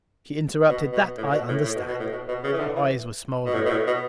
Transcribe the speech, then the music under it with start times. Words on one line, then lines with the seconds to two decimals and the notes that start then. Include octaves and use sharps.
She interrupted, "That I understand." Her eyes were smoldering.
0.69 B2
0.92 B2
1.17 A2
1.32 B2
1.48 A2
1.64 A2
1.75 B2
1.88 B2
2.00 A2
2.12 B2
2.28 B2
2.43 C#3
2.52 E3
2.59 D3
2.75 E3
3.45 B2
3.54 A2
3.65 B2
3.70 A2
3.86 B2